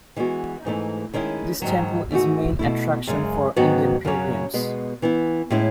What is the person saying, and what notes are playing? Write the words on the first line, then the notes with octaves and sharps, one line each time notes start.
This temple is main attraction for Indian pilgrims.
E3 G#3 B3 F#4
G#2 E3 A3 D#4
D#3 G#3 C#4 E4
G#2 D#3 F#3
G#2 E3 A3 D#4 F#4
B2 A3 E4
F#2 C#3 G#3
G#2 D#3 F#3 B3 F#4
F#2 C#3 F#3 C#4
B2 G#3 B3
E3 B3 E4
A2 G#3 C#4 E4